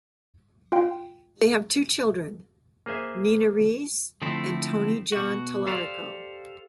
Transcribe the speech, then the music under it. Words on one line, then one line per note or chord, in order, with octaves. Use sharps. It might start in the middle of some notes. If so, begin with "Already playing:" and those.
They have two children, Nina Reyes and Tony John Tallarico.
F4 F5 G5
A#3 G#4 C5 E5 G#5
D3 F3 A3 C4 E4
B2 F#4
G4 A4 C5 D5 F5